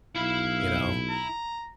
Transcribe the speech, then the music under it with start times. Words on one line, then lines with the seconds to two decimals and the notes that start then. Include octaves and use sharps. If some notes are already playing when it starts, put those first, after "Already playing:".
you know?
0.16 B1 E4 F5 B5
1.09 A#5